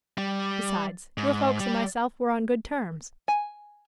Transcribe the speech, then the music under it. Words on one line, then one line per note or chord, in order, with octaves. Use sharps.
Besides, your folks and myself were on good terms.
G3
G#2
G3
G#5